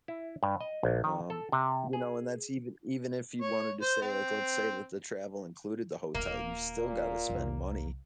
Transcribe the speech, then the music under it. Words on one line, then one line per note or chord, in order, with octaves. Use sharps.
um, you know, and that's even even if you wanted to say, like let's say that the travel included the hotel, you still gotta spend money,
E4
G2
D#5
A#1
D#3
A4
C3
G#4
C#5
C5
C4
D#1 A#3 F4
A#2
C2 F2